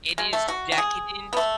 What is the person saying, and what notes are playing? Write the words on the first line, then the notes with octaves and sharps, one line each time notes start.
it is decadent
G#3
A3
F#4
F#4
G#4
B3
A3